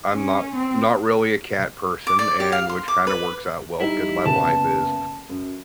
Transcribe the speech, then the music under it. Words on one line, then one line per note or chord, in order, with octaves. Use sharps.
I'm not not really a cat person, and which kinda works out well, 'cause my wife is
C#4
C4
D6
D5
G4
F5
C6
D6
B4
G3 D#4 E4
F#1 B3 A5
F#2